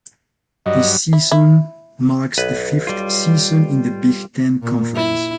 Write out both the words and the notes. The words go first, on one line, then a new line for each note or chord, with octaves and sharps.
This season marks the fifth season in the Big Ten Conference.
G2 F#3 D#5
E4
E4
B1 B4
G3 F4
A#2
E4